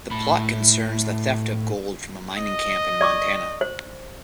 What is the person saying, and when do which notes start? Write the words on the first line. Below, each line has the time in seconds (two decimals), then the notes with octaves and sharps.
The plot concerns the theft of gold from a mining camp in Montana.
0.11 A2 B5
2.38 D#5
3.01 D5 C#6 D6
3.61 C5